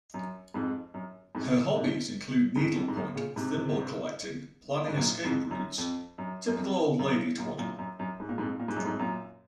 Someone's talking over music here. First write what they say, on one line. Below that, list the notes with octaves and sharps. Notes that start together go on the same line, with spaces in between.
Her hobbies include Needlepoint, thimble collecting, planning escape routes... typical old lady twaddle.
F#2
F2 G#2
F#2
F2 G#2
G#2 C3
F2 G#2
F2
G#2
F#2
A#2 C#3
G#2 C3
G#2
F#2 A#2
F2 G#2
F#2
F2
F#2
F#2
F2
F#2
F#2 A#2
F#2 A#2
F#2
F#2
G#2
A#2
F2 G#2
A#2
G#2
F#2
F2 G#2
F#2 A#2